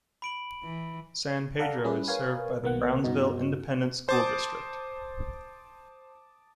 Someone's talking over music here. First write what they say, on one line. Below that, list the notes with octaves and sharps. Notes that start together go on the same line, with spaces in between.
San Pedro is served by the Brownsville Independent School District.
B5 D7 F#7
E3
A4 D5 F5 F#5 A#5
G3 C#4 E4 G#4 B4
A#4 B4 C#5 F5 G#5
B1 B2 D#3 A#3 B3 F#5
G2 B2 B3 D#4 F#4
C5 A5 D6 D#6